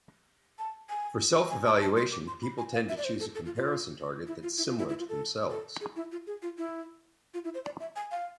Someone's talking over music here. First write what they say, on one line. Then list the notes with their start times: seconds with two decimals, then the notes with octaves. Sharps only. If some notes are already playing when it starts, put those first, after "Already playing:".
For self-evaluation, people tend to choose a comparison target that is similar to themselves.
0.59 A5
0.89 G#5
1.50 G#5
1.66 A5
1.81 A5
1.97 C6
2.12 D6
2.27 C6
2.43 B5
2.58 G#5
2.73 F5
2.89 E5
2.97 D5
3.04 C5
3.20 A4
3.35 A4
3.45 F4
3.55 F4
4.27 E4
4.43 F4
4.58 E4
4.68 F4
4.79 E4
4.89 E4
4.99 F4
5.09 A4
5.50 A4
5.81 G#4
5.96 E4
6.12 F4
6.27 G#4
6.42 F4
6.58 E4
7.34 F4
7.44 E4
7.54 C5
7.65 D5
7.80 E5
7.96 G#5
8.11 F5